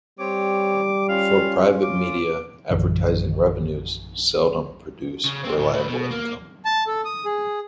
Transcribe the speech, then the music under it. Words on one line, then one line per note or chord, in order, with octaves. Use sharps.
For private media, advertising revenues seldom produce a reliable income.
G3 C4 G4 C#5 D6
C#4 F4 F5
D6
A#1 F#2 D3 E3
C#3
A#3 C4
D2 A2
A2 B4
B2
A#3
A5
A4
D#6
G#4